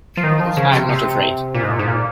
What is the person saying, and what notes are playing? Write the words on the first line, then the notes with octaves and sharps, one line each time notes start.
I am not afraid.
F3
D#3
F3
C#3
C3
C3
A#2
G#2
A#2
G#2
A#2